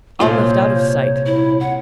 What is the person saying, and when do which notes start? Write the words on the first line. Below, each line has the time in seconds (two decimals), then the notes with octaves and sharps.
All left out of sight!
0.20 C2 A#2 F4 C5 C#5
1.26 E4
1.60 F#5